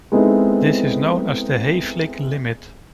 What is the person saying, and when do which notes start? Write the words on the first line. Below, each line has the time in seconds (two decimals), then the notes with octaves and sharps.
This is known as the Hayflick limit.
0.12 G#3 B3 C4 D#4 E4 A4